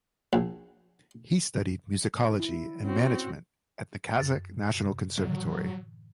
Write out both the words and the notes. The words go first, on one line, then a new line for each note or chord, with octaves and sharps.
He studied musicology and management in the Kazakh National Conservatory.
A#1
E4
C4 C#4 F#4
F#2 A6
F#2 C3
A2 D3 E3 F#3